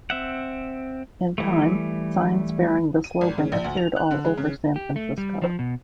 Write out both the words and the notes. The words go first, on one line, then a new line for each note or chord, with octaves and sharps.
In time, signs bearing the slogan appeared all over San Francisco.
C4 E5 F#5
E3 G3 A3
D#7
G#1
C#3
A#1
D2
F7
F#6
D3
G#3
C#3
G4
A3
G3
F3
B2